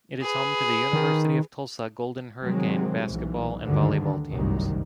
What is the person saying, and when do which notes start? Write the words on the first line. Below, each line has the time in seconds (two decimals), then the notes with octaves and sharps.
It is home to the University of Tulsa Golden Hurricane basketball and volleyball teams.
0.22 G#4 B4
0.93 D#3
2.43 C3 D#3 F#3 G#3 C4
3.06 B1 E3
3.65 D2 G2 D3 D#3
4.31 G1 C2 F#2 A2 D#3